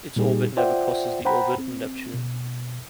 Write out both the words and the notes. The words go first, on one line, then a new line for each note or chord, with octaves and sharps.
Its orbit never crosses the orbit of Neptune.
A#2 G3 D#4 G4 G#4
F4 C5 D5 E5 F#5 G5
C5 F#5 G5 A#5 B5
C4
B2